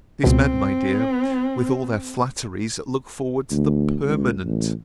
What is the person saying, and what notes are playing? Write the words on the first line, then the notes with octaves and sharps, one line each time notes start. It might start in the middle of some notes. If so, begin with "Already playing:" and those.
These men, my dear, with all their flatteries, look forward to the PERMANENT.
C#2 B2 C4
D2
C#2
A1